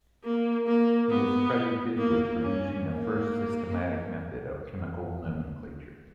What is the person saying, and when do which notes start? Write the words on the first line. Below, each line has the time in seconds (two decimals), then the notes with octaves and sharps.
He is credited with producing the first systematic method of chemical nomenclature.
0.24 A#3
0.67 A#3
1.10 B3
1.98 A#3
2.42 C#4
2.85 A#3